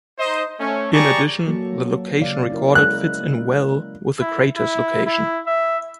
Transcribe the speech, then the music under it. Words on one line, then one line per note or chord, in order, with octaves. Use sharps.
In addition, the location recorded fits in well with the crater's location.
D#4 C5 D#5
A3 C#4
G4 G#4 D5 A5 A#5 C#6
F#3 A#3 A4
C#3 D5 F5
C#4 E4 A#4
G#3 F#6
E4
E4
E4
E5